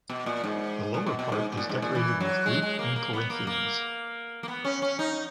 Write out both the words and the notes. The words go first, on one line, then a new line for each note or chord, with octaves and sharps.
The lower part is decorated with Greek and Corinthians.
B2
A#2
G#2
A#2
B2
B2
G#2
B2
A#2
G#2
A#2
E3
F#3
G#3
G#3
A#3
A#3
B3
A#3
A#3
A#3
B3
C#4
C#4
D#4